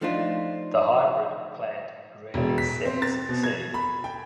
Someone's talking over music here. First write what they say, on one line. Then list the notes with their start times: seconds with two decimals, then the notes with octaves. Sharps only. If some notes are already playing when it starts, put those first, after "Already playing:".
The hybrid plant rarely sets seed.
0.01 F3 A3 D4 D#4 F4
2.34 E1
2.58 B6
2.85 C4
3.02 A6
3.29 B2
3.43 G#6
3.74 B5
4.04 G5